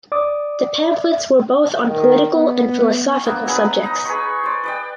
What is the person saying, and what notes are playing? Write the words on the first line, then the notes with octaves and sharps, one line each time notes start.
The pamphlets were both on political and philosophical subjects.
D5 D6 D#6
D#3
B3
A#3 B3 D4
F#3 G#4 B5 D#6
D#4 A#5
G#4 B4 B5 C#6
C5 D5
B4 D5 G5